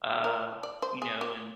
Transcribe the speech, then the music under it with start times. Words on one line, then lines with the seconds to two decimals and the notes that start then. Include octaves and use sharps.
uh, you know and
0.24 A#4
0.63 D5
0.82 C5
1.02 G#4
1.21 G4